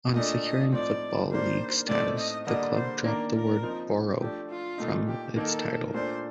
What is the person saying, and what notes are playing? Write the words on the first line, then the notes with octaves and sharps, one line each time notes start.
On securing Football League status, the club dropped the word 'Borough' from its title.
A#2 A3 D4 D#5
D#5
A2 F3 C4 D#4 D5
D#3 G3 A#3 D4 C5
A2 A3 C4 D#4 D5
D#5
D3 G3 A#3 D4 D#5
C5
D#3 A#3 D4 A#4
A#4
F3 C4 D#4
F3 A3 D4 G4
F4
A#2 A3 D#4
G4
D#3 A#3 D#4 A4
A#2 A3 D4 C5